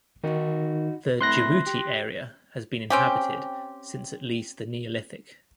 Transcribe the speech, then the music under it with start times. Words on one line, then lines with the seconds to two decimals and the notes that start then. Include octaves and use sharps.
The Djibouti area has been inhabited since at least the Neolithic.
0.24 D#3 D#4 F#4
1.21 A3 C4 E4 C6 F#6 A#6
1.66 G4
2.90 C4 C#4 G4